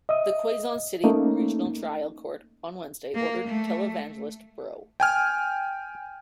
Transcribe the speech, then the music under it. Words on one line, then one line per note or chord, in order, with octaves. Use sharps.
The Quezon City Regional Trial Court on Wednesday ordered televangelist Bro.
D#5 E5 D#6
A3 A#3 C#4 D#4
A#3
A3
G5 G#5 F6